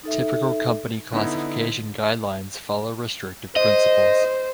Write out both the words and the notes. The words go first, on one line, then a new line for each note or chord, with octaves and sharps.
Typical company classification guidelines follow restrictive principles.
D#4 A4 E5
D3 B3 D#4 E4
C5 D#5